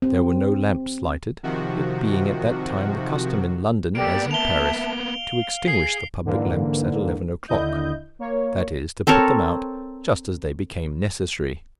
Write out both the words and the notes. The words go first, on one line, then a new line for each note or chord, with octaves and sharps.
There were no lamps lighted, it being at that time the custom in London, as in Paris, to extinguish the public lamps at eleven o'clock--that is, to put them out just as they became necessary.
C4
C3 D#3 F3 F#4
A#3 B3 G4 A4 D5 D7
E5 A5 F7 G7
F5
G#4 C7
G#2 D3 E3 A#3
D#2 D3 E4 D#5 G6
A#3 C#5
C4 A4 A#4 C#5